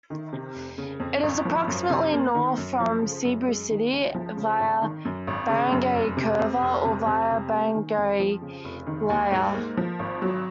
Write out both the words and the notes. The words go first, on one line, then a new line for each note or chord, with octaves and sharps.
It is approximately north from Cebu City via barangay Curva, or via barangay Luya.
D#3
C3
F1
C#3
F2
G#1
F3
F#2
C3
A#3
D#3
F#2
F3
C#3
F#2
G#3
D#3
C#2
F3
C#3
G#1
D#3
F#2
G#1
C#3
F#2
F1
C3
F2
F1
C3
F2
C3
A#3
D#3
F2
F3
C#3
F1
D#3
D#2
G#2
A#3
F3
G#1
F#3